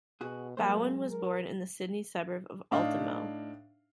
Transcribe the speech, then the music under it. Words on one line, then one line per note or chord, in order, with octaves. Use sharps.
Bowen was born in the Sydney suburb of Ultimo.
B2 F#4 G#4
F#3 G#3 A#3 C5
A#4
A2 D4 D#4 F5